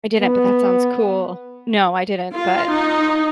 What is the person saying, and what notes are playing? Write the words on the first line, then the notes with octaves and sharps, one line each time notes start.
I didn't, but that sounds cool. No. I didn't, but,
B3
F4
D#4